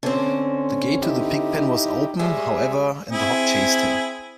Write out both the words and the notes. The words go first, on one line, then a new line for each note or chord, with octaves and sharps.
The gate to the pigpen was open, however, and the hog chased him.
D3 C4 C#4
D#4 E4 G4
G3 G#3 G#4 E5
C4 E4 G#4